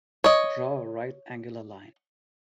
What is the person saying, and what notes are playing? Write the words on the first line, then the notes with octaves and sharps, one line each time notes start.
Draw a right-angular line.
C#5 D#5